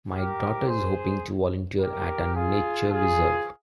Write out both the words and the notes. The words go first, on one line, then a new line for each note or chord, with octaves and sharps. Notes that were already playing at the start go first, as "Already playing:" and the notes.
My daughter is hoping to volunteer at a nature reserve.
G4 A#4
G#4 C5
G4 A#4
F4 G#4
F4 G#4